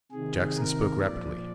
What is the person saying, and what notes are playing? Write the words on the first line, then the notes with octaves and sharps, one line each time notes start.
Jackson spoke rapidly.
C3 D#3 G#4
A#4
A#2 F3 D5